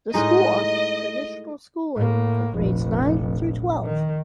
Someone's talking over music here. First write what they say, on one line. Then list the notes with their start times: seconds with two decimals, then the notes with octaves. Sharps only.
The school offers traditional schooling for grades nine through twelve.
0.14 A2 G#3 D#4 D#5
1.96 A2 A#3
2.54 F1 A#1
3.83 D#3